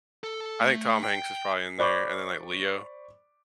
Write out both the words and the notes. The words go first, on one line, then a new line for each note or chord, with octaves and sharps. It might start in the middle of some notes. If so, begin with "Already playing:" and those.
I think Tom Hanks is probably in there and then like Leo.
A4
A3
G5
C5 D5 B5 C#6 D6